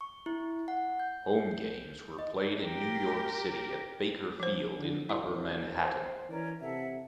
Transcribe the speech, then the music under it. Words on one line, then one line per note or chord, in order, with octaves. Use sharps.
Home games were played in New York City at Baker Field in Upper Manhattan.
C#6
E4
F#5
G6
D#5
G4 A#4
F3 C5
D3
E1 E4
C5
E3 C#4 A#4 D5
C3 A4 E5 F#5